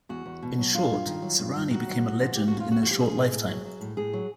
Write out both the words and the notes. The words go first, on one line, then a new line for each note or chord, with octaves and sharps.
In short, Sirani became a legend in her short lifetime.
E2 F#4
E2
B2
F#3
G2 F4
G2
D#3
F#3
G2
G2
D#3 F#4
F#3
A2
F3
F3 G4
A2 F#4
F4
A2 F#4
F3 F#4
G4
F3 G#4
A2
A2
F#3
F#3
A2
A2 G#4
F#3